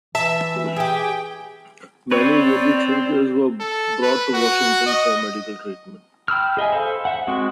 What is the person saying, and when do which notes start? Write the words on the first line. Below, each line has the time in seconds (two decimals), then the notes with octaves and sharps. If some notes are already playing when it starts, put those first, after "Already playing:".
Many wounded soldiers were brought to Washington for medical treatment.
0.15 E3 E5 A5
0.77 G4 G#4 G5
2.11 C4 B4 C#5 D5
3.60 A4
4.03 B4
4.34 F#4
4.86 D#5
6.28 G5 B5 E6 F6
6.57 G#4 D#5 E5 G#5
6.72 A4 C5 F5 B5
7.05 E5 F#5
7.27 G#3 C4 F#4